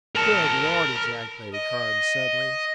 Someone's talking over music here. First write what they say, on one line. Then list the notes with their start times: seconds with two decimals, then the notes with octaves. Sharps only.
"Good Lord!" ejaculated Carnes suddenly.
0.16 A#4 A5
1.53 D#5